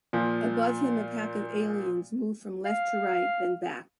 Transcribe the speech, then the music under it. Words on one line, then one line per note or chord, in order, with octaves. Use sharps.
Above him a pack of aliens move from left to right, then back.
A#2 F3
F5